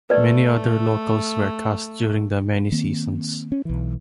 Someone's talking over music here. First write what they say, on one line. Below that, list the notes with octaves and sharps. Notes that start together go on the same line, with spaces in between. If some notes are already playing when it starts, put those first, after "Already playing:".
Many other locals were cast during the many seasons.
A3 B4 D5
D#3 A#3 C4
C#4
B1 E3